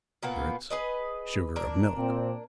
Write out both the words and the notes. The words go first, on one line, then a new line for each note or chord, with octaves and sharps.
Spirits. Sugar of milk.
A#2 A#3 B3
G#4 B4 D#5
A#3 D4 A#4
A#2 C4